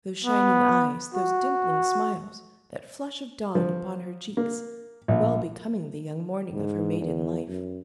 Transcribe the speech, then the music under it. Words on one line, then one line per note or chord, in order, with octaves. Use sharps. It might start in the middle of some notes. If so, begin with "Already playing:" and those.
Those shining eyes, those dimpling smiles, that flush of dawn upon her cheeks, well becoming the young morning of her maiden life.
B3
F#4
F3
A#3
A#1
G#2
E2
F#2